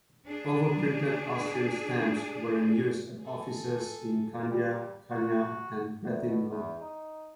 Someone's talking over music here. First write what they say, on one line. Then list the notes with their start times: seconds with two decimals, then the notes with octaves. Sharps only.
Overprinted Austrian stamps were in use at offices in Kandia, Khania and Rethymnon.
0.25 D4 G#4
3.20 G#4 A4
4.50 G3
5.11 F#4
6.07 D2
6.29 B2
6.51 E2
6.81 D#4